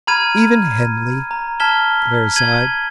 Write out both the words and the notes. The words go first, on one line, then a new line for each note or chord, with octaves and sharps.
"Even Henley!" Clare sighed.
A#5 B5 F6 G#6 D#7
A#5
A5 F6 G#6 B6 E7 G7
G#6 D#7 F#7 G7